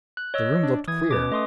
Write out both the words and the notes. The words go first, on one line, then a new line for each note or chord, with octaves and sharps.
The room looked queer.
F#6
C#5 D#5 E6
D4
E3 D#6 G#6
B2 C#4 B4 D6
A3 D#5 C6 D#6